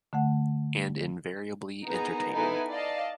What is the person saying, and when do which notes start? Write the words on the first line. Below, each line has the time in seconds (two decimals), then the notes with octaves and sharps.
And invariably entertaining.
0.13 D3 A3 F#5
1.87 B3 D#4 G#4 A#4 A#5
2.33 B3 D#4 E4 A4 B4 G#5
2.69 D5 D#5 F5 A5